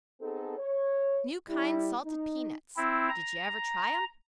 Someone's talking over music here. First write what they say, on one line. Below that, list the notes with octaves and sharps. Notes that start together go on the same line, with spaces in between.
NEW KIND SALTED PEANUTS Did you ever try them?
B3 C4 D#4 G#4 A4
C#5
G3 E4
D#4
C4 E4
A#5